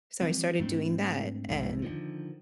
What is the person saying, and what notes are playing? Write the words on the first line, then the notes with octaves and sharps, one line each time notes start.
So I started doing that, and
E3 F3 G3 C4
G#2 A3 C4 D4
B1 F2 G#2
D3 D#3 F3